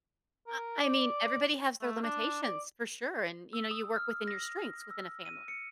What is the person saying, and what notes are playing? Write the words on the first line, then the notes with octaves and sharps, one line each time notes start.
I I mean, everybody has their limitations, for sure, and, you know, you work within your strengths within a family.
A#4
D5
A3
D4
D5
E6
D#6
F6
A#6
E6
D#7
C#7